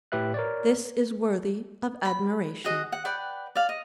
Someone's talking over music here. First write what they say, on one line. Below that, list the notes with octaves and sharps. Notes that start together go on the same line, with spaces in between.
This is worthy of admiration.
A2 G4 B4 E5 F#6
A#4 C#5 D5
B5
F#4 G#4 D#5 F#5
F#5
B4 D5 F#5 G5
D5 F5
D#5